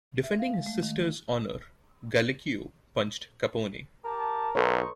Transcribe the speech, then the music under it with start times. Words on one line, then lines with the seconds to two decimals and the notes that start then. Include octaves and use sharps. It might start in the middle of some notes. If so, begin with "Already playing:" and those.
Defending his sister's honor, Gallucio punched Capone.
0.23 E5
0.39 F5
0.54 G#3
0.66 A3
0.83 D#3
4.05 G4 A#4 A5
4.55 B1 D#4 A4 B4 C#5 C6 C#6